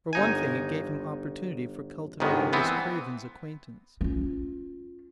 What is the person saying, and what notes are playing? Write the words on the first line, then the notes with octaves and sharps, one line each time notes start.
For one thing, it gave him opportunity for cultivating Miss Craven's acquaintance.
G1 D#4 G#5
G1 G#2 D#3 B3
E3 B3 C4
C#4 F4